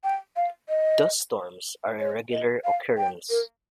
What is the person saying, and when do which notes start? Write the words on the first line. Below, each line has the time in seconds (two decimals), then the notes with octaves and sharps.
Dust storms are a regular occurrence.
0.04 G5
0.36 F5
0.69 D#5
1.99 C#5
2.32 D#5
2.64 F5
2.97 G5
3.30 A#4